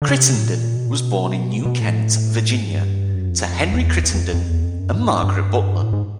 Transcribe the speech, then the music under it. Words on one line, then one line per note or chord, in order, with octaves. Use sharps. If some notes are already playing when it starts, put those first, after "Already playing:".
Crittenden was born in New Kent, Virginia, to Henry Crittenden and Margaret Butler.
D3
C#3
C3
A2
A#2
B2
A#2
B2
B2
A2
G#2
G2
F#2
F2
E2
E2
E2
F2
F2
E2
F2
F#2
G#2
G2
A2
G#2